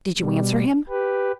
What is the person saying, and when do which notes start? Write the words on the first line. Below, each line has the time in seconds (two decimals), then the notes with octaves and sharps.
"Did you answer him?"
0.17 B2 G3
0.89 G4 B4